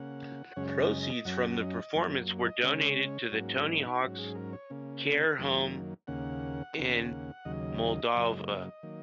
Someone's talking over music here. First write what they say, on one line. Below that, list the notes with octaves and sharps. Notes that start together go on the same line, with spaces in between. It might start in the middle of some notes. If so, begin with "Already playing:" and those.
Proceeds from the performance were donated to the Tony Hawks Care Home in Moldova.
Already playing: C#3 A#3 C#4 F#5
F#2 C#3 G#3 C#4 C#5
D#5
D#5
F#2 F#3 C#4 F#5
F#5
D#5
F#2 F#3 A#3
D#5
C#3 G#3 C#4 C#5
G#2 F#3 A#3 C#4 F#4
D#4
G#2 F#3 C#4 F#4
G#4
A#4
C#5
C#3 A#3 C#4
F#2 D#3 F#3 A#3
D#2 C#3 A#3 C#4 F#5
D#2 C#3 A#3 C#4
D#2 C#3 F#3 D#5
F#2 C#3 F#3 A#3
D#3 F#3 A#3